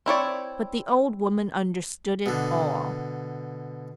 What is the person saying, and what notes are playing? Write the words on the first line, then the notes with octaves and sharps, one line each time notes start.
But the old woman understood it all.
C4 E4 C#5 D5
B2 D3